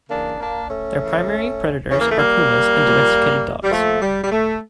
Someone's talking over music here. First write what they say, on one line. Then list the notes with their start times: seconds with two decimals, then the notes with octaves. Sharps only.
Their primary predators are pumas and domesticated dogs.
0.10 C#3 E3 A#3 D4
0.40 A#3 D4
0.69 A3 C#4
1.00 C#3 E3
1.91 C#3 E3 C#4
2.00 A#3
2.09 A3
2.18 G3 A#3
2.81 A#2 F3
3.64 G3
3.72 A#2 F3 A3
4.01 G3
4.24 G3
4.32 A3